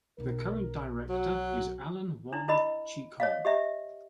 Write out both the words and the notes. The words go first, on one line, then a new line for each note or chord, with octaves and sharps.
The current director is Alan Wong Chi-kong.
B1 D#4 A#4
F#3 F#4
D4 E4
E4 A#4 D#5 B5
C#5 D#5 F5
G4 D#5 E5